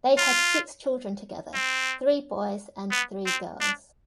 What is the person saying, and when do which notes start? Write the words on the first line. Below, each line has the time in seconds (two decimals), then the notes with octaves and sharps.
They had six children together, three boys and three girls.
0.18 F4
1.54 C4
2.91 B3
3.26 C4
3.61 D4